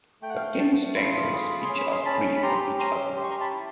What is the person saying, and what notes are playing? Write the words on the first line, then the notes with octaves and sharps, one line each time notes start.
The ten stamens each are free from each other.
A3 G5
F#5
F5 G5
A3 G5 A5
F4 B5
C6
B5
G#4 C6
B5
C#4 C6
B5
C6
C#4 A5 B5
B5
G4 A#5 C6
C#4 A#5 C6
G4 C6
C#6
A#5 C6
A5 B5
E4